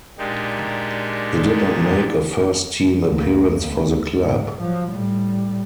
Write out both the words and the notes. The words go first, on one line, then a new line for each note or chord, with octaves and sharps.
He did not make a first team appearance for the club.
A#2 G#3 D4 D#4 G4
D2 A#3
D2
G#2
F3 F#3
A2 G3